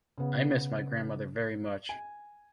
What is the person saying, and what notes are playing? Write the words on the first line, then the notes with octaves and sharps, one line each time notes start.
I miss my grandmother very much.
C#3 B3
G#5